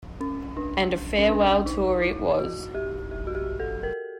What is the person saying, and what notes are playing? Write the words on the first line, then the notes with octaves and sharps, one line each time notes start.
And a farewell tour it was.
C#4
D4
C#4
D4
D#4
E4
F#4
G4
G4
F#4
G4
A4
A#4